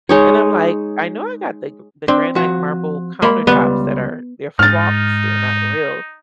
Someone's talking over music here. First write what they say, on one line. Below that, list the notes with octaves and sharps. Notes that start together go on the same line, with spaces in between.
and I'm like, I know I got the g the granite marble countertops that are they're flocks, they're not real,
G#3 D#4 C#5
C4 D4
F3 F#4
G#3 A#3 B5
C#2 G2 G3 B3
G#2 D#4 F6 A6